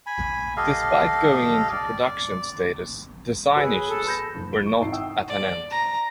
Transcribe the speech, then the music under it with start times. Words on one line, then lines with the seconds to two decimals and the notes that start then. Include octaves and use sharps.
Despite going into production status, design issues were not at an end.
0.06 G#5 B5
0.57 G4 A4 D#5 F5
1.73 D5
3.56 F#4 G#4 B4 C#5 E6
3.88 A4
4.07 B5 G6 A#6
4.34 F#1
4.52 E4 D7 G7
4.66 C#6
4.80 G#1 D#4 E4 A5 C7
4.92 E5 F#5 G5 D#6 E6
5.28 D5
5.70 A#5